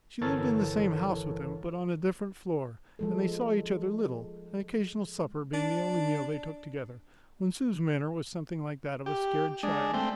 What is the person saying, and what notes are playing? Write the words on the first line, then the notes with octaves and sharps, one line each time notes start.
She lived in the same house with him, but on a different floor, and they saw each other little, an occasional supper being the only meal they took together, when Sue's manner was something like that of a scared child.
G1 E3 A4 A#4 C#5 A6
F3 G#3 A4
D4
G4
G#3 D4
A3 C4 G5